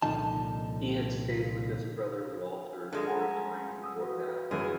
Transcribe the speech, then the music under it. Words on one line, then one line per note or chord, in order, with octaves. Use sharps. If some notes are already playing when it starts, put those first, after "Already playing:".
He had stayed with his brother Walter for a time before that.
C2 A#2 D3 F3 D#4 A5
G2 G#3 D4 G#4 A4
F#5 G#5 A#5
D#6 E6
F#4 B4
F#2 E3 G#4